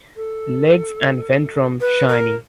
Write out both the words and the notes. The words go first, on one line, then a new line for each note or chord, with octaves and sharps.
Legs and ventrum shiny.
A4
B4
A#4